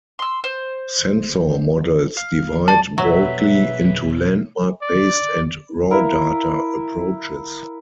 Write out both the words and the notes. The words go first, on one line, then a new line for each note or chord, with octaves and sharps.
Sensor models divide broadly into landmark-based and raw-data approaches.
C6 E6
C5
F5
D5 A5
B2 F#3 G#4 B4 E5
D5
E4 A#4 F5